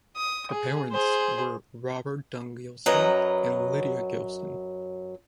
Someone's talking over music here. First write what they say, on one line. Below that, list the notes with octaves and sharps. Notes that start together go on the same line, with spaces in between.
Her parents were Robert Dunn Gilson and Lydia Gilson.
D#6
G#4
G#4 C5
F#2 F#3 B4 D#5 A#5